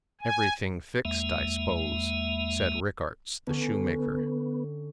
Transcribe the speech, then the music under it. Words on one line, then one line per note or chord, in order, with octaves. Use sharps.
"Everything fixed, I s'pose?" said Rickarts, the shoemaker.
G#5
E2 G#3 A#3 E5
D3 B3 C#4